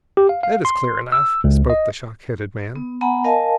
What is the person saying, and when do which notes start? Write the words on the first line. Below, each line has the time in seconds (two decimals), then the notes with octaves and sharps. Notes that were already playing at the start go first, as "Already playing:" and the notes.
"That is clear enough," spoke the shock-headed man.
0.17 G4
0.29 F5
0.43 F5
0.65 C6
1.12 E6
1.44 C#2
1.70 D#5
2.76 B3
3.01 B3 F#5 G#5 A#5 B5
3.24 A#4 D#5 F5 G#5 A5